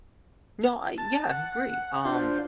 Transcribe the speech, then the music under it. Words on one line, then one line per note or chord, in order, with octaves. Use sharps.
No, I yeah, I agree. Um
A5
F#5
D4 F4 C5